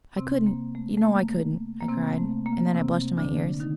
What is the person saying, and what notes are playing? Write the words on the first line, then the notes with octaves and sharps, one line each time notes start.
"I couldn't--you know I couldn't," I cried--and then I blushed to my ears.
C3 C4
A#3
A3
A3
A#3
A#3
C3 C4
A3
A#3
C3 C4
D3 D4
D#3 D#4